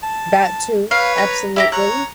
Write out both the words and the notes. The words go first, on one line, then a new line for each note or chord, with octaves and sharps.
That too, absolutely.
A5
B4 C#5 F5
A#5
E4 G4 A#5
C#5 A#5 F#6